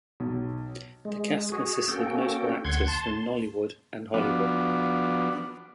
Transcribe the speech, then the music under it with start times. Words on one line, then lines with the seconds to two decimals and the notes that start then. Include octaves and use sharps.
The cast consisted of notable actors from Nollywood and Hollywood.
0.20 B1
1.05 G#3
1.52 F#4 G#4
1.88 A#3 C#4 F#4 A4 G5
2.65 D2 F#5 C6 G#6
2.87 A5 C6
4.14 F3 B3 D4 F#4